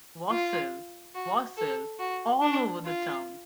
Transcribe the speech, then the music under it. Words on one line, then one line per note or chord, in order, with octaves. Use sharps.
Wassail, wassail all over the town.
F4
F#4
A4
F#4
D4
F4